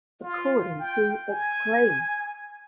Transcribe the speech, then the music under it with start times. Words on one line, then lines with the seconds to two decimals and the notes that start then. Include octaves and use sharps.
According to Exclaim!
0.23 F4
0.80 G5
1.30 G#5